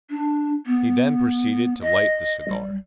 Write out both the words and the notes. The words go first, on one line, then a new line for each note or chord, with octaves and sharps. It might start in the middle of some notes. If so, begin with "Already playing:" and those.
He then proceeded to light the cigar.
D4
B3
D#5
G3